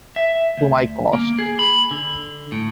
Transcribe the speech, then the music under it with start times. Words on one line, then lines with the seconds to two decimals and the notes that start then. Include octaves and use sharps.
To my cost.'
0.16 E5
0.57 D2
1.13 A#3
1.39 G#4
1.59 B5
1.91 D3
2.52 A2